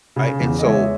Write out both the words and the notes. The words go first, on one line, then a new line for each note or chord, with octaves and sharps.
I and so,
C#3
E2
D#5
G#3 C#5 E5